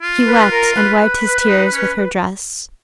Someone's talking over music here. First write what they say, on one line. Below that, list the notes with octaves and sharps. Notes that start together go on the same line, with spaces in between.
He wept and wiped his tears with her dress.
F4
B4
A#4
B4
D#4
C#4